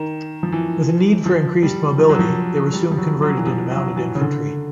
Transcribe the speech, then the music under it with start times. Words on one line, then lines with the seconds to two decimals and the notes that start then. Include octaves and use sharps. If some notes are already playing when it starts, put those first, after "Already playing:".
With a need for increased mobility, they were soon converted into mounted infantry.
Already playing: D#3
0.43 F3
0.52 E3
1.26 F3
1.63 G3
1.99 F3
2.09 F#3
2.19 F3
2.73 G3
2.91 F3
2.97 F#3
3.22 F#3
3.37 E3
3.47 F3
3.71 F#3
3.96 E3
4.15 C#3
4.21 D3